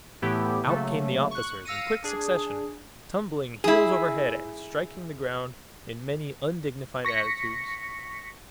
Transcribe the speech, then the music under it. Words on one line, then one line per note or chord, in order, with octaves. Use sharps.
Out came the officers, in quick succession, tumbling heels over head and striking the ground in many undignified attitudes.
A2 E3 A3 B3 E4 G4
C#3 F#3 A3 A#3
C#6 F#6
F5 E6 A#6 C#7 D#7
D4 G#4
E4 G#4
C#6 A#6 B6 C#7